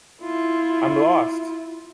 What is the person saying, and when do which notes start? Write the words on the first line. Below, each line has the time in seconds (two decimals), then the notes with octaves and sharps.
I am lost!
0.22 E4 F4